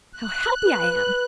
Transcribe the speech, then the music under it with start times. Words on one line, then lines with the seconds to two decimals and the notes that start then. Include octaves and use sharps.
How happy I am!
0.11 F#6
0.67 B4